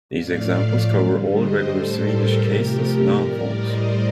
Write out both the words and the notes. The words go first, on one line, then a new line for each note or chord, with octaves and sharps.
These examples cover all regular Swedish caseless noun forms.
A2 F3 A3 D5 F5
D3 G3
C5 D#5
A2 G3 A4 C5
G4 A#4
C3 F3 A3 G4 A#4
A2 G3 A#4 D5
C5 D#5